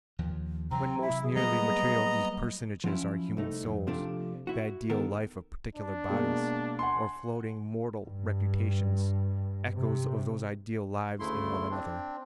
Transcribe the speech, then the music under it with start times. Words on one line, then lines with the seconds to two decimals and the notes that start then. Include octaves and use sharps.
When most nearly material these personages are human souls--the ideal life of particular bodies--or floating mortal reputations--echoes of those ideal lives in one another.
0.19 D#2 F3
0.71 C3 E3 F#3 C4 A#5
1.02 E4 E5
1.23 G#4
1.36 F#3 G3 A#3 B3 D#5 A#5
2.84 F3 F#3 C#4 E4
3.37 C2 A3 D#4
3.66 F2
3.87 C3 F3 A3 D4
4.47 E4 F#4
4.90 D#3 B3 A4 A#4
5.75 D4
6.08 B2 G#3 A#3
6.79 F#5 G#5 C6
8.03 G2
9.73 C3
11.19 D2 C#3 A3 E4 C6
11.71 C4 D4